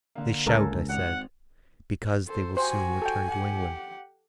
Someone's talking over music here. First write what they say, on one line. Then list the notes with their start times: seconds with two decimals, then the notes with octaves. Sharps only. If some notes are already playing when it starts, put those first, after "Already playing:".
"They shout," I said, "because they will soon return to England."
0.15 D3 A#3
0.47 C#2 C#4 A4 A#4
0.89 G#1 C4 F#5 F7
2.27 A4 C5
2.57 F#4 G4 C5 G#5
3.02 A4 G5
3.31 G4 F#5